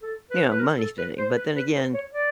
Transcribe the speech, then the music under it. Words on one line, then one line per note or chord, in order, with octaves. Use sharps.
you know, money spending. But then again
A4
B4
B4
A#4
A4
B4
C5
B4
B4
C5
C#5
D5